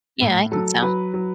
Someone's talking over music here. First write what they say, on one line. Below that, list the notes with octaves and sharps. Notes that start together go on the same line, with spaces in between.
Yeah, I think so.
A2
F#3 A4
F#3 B4
F#3